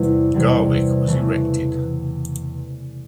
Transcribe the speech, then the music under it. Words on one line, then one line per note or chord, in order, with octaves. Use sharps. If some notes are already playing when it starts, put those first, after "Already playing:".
Garwick was erected.
Already playing: E2 C3 E3 G3
E2 C3 E3 G3
C#3 E3 A3